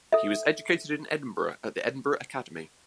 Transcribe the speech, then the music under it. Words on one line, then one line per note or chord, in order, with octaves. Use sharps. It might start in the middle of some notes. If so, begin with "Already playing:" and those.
He was educated in Edinburgh at the Edinburgh Academy.
A4 E5